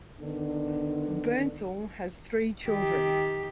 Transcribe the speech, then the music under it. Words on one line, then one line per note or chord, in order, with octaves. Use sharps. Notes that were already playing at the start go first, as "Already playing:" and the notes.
Bernthal has three children.
D3 D#3 B3 D4
D#3 G4